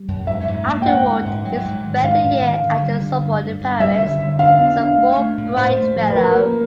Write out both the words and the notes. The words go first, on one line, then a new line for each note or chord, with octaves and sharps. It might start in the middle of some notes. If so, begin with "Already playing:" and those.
Afterward, he spent a year at the Sorbonne, in Paris, as a Fulbright Fellow.
Already playing: G3
F#2
G#2 E5
G#2
A#3
G5
G#2 F#5
G#2
G#2
F#3
G#2
D#3
G#2 F5
G#2
D#3
D3
G3
D3
G2
G2
G2
G3 E5
D3
D3
D4 F5
B3
D4
A3
A3
A2
A2 C5
A3
F3
B4
F3 A#4
A#3